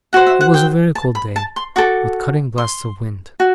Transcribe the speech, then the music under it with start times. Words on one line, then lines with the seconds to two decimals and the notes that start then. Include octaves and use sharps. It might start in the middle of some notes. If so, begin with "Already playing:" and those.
It was a very cold day, with cutting blasts of wind.
0.13 F#4 C5 F#5
0.27 E5
0.41 F#5
0.54 G5
0.95 A5
1.15 B5
1.36 A5
1.56 C6
1.76 F#4 A4 D6
2.58 C6
3.40 F#4